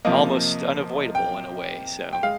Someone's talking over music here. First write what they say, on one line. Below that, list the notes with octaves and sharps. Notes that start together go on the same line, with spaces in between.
almost unavoidable in a way, so
C3 F3 A#3 D#5
G5
G5
G#3 F5